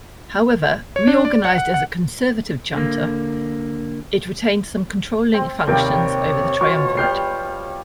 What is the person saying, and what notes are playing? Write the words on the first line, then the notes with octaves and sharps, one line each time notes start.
However, reorganized as a "Conservative Junta", it retained some controlling functions over the Triumvirate.
C#5
D4
D5
F#5
F#5
F#5
D3 A#3
C4
D#2 C3 G3 A#3 C#5 G5
B2 F4 F#4 C#6
G3 F6 G6 C7